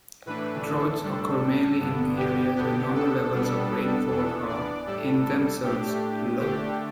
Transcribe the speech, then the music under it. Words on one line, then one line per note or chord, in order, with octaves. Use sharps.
Droughts occur mainly in areas where normal levels of rainfall are, in themselves, low.
A2 E3 A3 D4 B4
A4
A2 G3 D4
G2 D3 B3 D4
G4
D3 B3 D4 G4
A4
B2 G3 B3 D4
E2 E3 B3 D4
D5
A2 G3 D4 A4
A2 A3 D4 G4
D3 A3 D4 G4